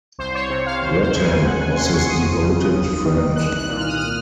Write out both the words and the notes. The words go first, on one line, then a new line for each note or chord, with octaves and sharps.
Grattan was his devoted friend.
C2 C5
C#5
C3 C#5
F5
D#2 C5
C5
C#3
G#5
C#2 F#5
G#5
C3 C6
C#6
F2 D#6
C#3
D#2
D#3
C2 F#6
F#6
A#2
F6
D#6
F6